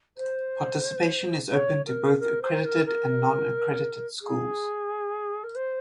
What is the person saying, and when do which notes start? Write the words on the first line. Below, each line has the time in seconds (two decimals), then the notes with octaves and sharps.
Participation is open to both accredited and non-accredited schools.
0.17 C5
1.51 C#5
1.86 A#4
2.20 A#4
2.42 C5
2.65 A#4
2.86 A#4
4.22 G#4
5.44 A#4
5.55 C5